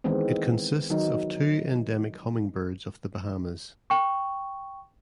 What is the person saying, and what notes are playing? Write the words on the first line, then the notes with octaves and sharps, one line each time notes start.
It consists of two endemic hummingbirds of the Bahamas.
D#3 E3 G#3 B3 C4
D#3 F#3 D#4
G5 C#6